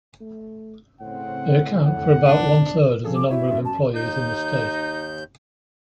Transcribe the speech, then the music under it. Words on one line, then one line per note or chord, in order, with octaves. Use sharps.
They account for about one-third of the number of employees in the state.
A3
A2 C#3 C4 F#5
F2 D3 F#5
B1 F2 C3 D4
C#3 F3 G#4 A4
D6
E4 F#4 G4 C#5 E5
F#2
A5
D#2 D#4 G6